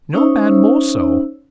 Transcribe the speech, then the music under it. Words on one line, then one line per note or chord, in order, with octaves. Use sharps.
"No man more so."
C#4 D#4 C5 C#5 E5 E6